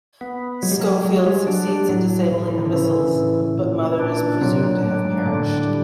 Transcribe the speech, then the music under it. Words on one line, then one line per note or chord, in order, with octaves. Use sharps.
Schofield succeeds in disabling the missiles, but Mother is presumed to have perished.
B3
F#3 G#3
G3
F#3
F#3 G#3
G3
F#3 D4
G3
A2 F#3
A2 E3
E3
D#3
D3
C#3 E3
A2
A#2
D4
C3 F#3
A#2
A2 D4
G#2
A2 D3
A#2
A2
G3